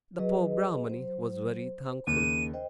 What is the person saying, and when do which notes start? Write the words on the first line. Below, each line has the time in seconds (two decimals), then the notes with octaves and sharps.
The poor Brahmani was very thankful.
0.19 F#3 G#4 B4 D#5
0.89 C5
2.07 D#2 C#3 D#7
2.54 C5 D#5 G5